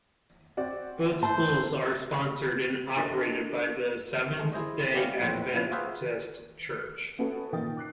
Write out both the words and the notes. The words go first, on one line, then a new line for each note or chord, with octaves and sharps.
Both schools are sponsored and operated by the Seventh-day Adventist Church.
C4 F#4 D5
A2 E4 C5 A5 G6
D4 F#4 A4 A#4 D#5
G#3 A3
E4 G#4 C5 D#5
G3 B3 C#4 G4 F5
A#1 E2 A2 C4 B4
A#2 C#3 F3 E4
F4 F#4 G#4 B4 C5 E5
B3 C#4 F#4 A4
A#2 D#3 G5 D#6 A6
D6 F#6 C7